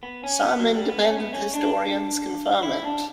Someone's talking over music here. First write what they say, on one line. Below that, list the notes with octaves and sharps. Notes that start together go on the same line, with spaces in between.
Some independent historians confirm it.
B3
C#4
B3
F#3
G3
B3
C#4
B3
C#4
D4
E4
D4